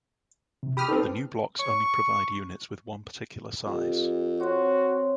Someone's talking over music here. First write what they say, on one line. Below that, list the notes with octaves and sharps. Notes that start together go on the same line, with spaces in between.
The new blocks only provide units with one particular size.
C3
G4 B5 D#6 F6
C4 D#4 A4 B4
C#6
F2 G4
C4 F#4 C#5 C6